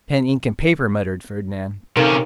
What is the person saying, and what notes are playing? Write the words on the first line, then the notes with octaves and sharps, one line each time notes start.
"Pen, ink, and paper," muttered Fernand.
C3 C#4 D#4 A4 A#4 F5